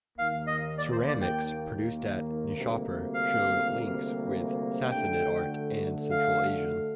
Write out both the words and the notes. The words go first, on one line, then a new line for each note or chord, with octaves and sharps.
Ceramics produced at Nishapur showed links with Sassanid art and Central Asian.
D#2 D#3 A#3 F5
D#5
D5
C5
D5
G5
D2 C3 G3 A#3
F5
D2 D3 A3 G5
F5